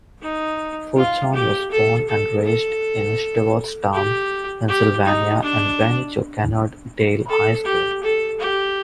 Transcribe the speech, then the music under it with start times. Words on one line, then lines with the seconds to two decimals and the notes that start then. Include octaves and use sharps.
Fulton was born and raised in Stewartstown, Pennsylvania and went to Kennard-Dale High School.
0.22 D#4
0.96 F4
1.34 G4
1.71 A4
2.08 A4
2.44 A4
3.93 G4
4.68 G4
5.05 D#4
5.42 D4
7.29 A4
7.65 G4
8.03 A4
8.40 G4